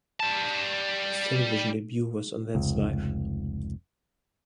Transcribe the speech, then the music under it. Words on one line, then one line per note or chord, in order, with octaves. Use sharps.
His television debut was on That's Life!
G3 A5
F1 C#2